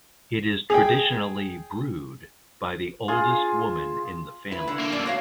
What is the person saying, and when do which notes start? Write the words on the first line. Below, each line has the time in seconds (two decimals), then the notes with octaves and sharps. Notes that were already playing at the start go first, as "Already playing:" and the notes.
It is traditionally brewed by the "oldest woman in the family".
0.70 G#4 G5
3.08 F4 G#4
4.51 E4 B4
4.67 D3 E4
4.79 A#3 A4
4.92 F#2 D5
5.06 F#4 C#5 F5